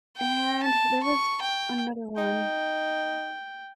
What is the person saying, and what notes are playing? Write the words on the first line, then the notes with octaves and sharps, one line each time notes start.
And there was another one
G5
A5
C#6
G5
D#4 G5